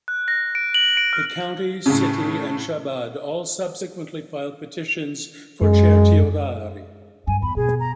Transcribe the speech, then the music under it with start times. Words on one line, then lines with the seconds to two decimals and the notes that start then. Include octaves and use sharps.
The county, city, and Chabad all subsequently filed petitions for certiorari.
0.08 F#6
0.28 A#6
0.55 D7
0.74 F#7
0.97 D7
1.13 F6
1.86 A2 C#3
5.61 F#2 G#3
7.27 G2 G#5
7.42 E2 B5
7.56 B2 G#4
7.80 A#5